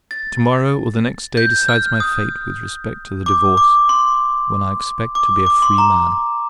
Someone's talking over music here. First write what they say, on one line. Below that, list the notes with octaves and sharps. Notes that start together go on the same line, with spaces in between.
To-morrow or the next day decides my fate with respect to the divorce, when I expect to be a free man.
A6
G6
F6
D#6
D6
D6
C6
D6
D6
C6
A#5